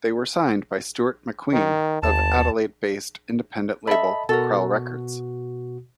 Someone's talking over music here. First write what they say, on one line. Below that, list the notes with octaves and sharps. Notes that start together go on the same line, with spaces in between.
They were signed by Stuart MacQueen of Adelaide-based independent label, Krell Records.
D#3
G1 D#2 A5
A4 D#5 E5 A5 B5
B2 F#4 A4 A#4